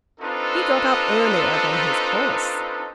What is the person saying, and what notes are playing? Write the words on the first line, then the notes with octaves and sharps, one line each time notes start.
He got up earlier than his horse.
C4 D4 D#4 F4 A4 B4